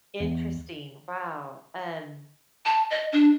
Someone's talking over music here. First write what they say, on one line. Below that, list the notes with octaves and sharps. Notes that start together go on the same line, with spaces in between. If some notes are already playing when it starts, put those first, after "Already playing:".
Interesting. Wow, um
E2
A5
D#5
D4